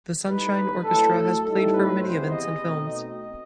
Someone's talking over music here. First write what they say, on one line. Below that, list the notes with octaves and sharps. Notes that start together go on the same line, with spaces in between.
The Sunshine Orchestra has played for many events and films.
A2 G3 D#4 B4
A2 F#3 A3 A4
A4
A2 G3 D#4 A4
B4
E2 C3 E3 B3 C5
D#5
B2 A3 C4 D#4
D#5